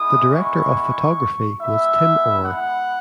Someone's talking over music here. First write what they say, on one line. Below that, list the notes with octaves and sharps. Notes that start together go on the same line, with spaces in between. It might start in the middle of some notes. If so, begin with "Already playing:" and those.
The director of photography was Tim Orr.
Already playing: G#3 B3 E4 D#6
C#6
G#3 B3 E4 E5
F#5